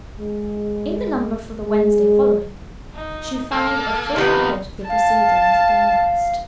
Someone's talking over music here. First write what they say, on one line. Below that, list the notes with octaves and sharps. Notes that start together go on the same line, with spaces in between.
In the number for the Wednesday following, she found a full report of the proceedings at the inquest.
G#3
G#3
D#4
A#3 A4
F2 C3 D#3 B3
F5 A5